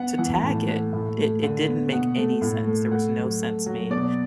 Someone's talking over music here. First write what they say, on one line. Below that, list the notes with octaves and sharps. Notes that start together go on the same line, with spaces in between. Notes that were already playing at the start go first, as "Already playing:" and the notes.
to tag it? It it didn't make any sense, there was no sense made.
Already playing: B3 F#5
E3 F#5
A2 A5
A3 F#5
A2 E5
A3
D3
B3
B2 F#5
A3
A2
A3
A3 F#5
F#3
A3
F#3
B2 D5